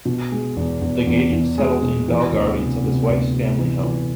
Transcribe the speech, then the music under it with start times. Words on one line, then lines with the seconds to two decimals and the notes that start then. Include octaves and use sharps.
The Gages settled in Bell Gardens at his wife's family home.
0.05 B2
0.32 G#3
0.56 E2
0.82 E2
1.07 E2
1.32 E2
1.58 G#3
1.83 B2
2.08 E3
2.33 D2
2.58 C3
2.84 C3
3.09 D2
3.34 C3
3.59 E3
3.84 E3